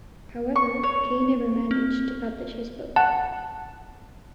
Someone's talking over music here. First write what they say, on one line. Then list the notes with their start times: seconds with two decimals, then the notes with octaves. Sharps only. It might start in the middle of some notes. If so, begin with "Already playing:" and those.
However Kay never managed to publish his book.
0.56 C#6
0.83 C#5
1.71 C4
2.96 F#5 A5